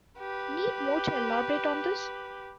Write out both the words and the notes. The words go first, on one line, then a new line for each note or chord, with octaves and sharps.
Need more to elaborate on this.
G4 B4